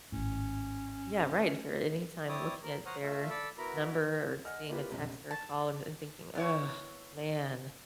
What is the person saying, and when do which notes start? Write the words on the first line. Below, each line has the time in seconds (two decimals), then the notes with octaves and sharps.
Yeah, right, if you're at any time looking at their number or seeing a text or a call and and thinking, "Ugh, man,"
0.12 G#1 A2 C#4
2.28 C4 E4 C#5 D5 D#6
2.63 A#4
2.86 C5 C#5 F#5 A#5 D#6 F6
3.02 A3 F4 E5
3.30 A4 D5 B5 E6
3.58 B3 E4 F#4 A#4 A#5 B5
4.45 D#5 F#5 G#5 F6
4.69 A#3 E4 F4 G4 B4
4.90 F1 B1 F#2
5.31 A5
6.35 B3 E4 C#5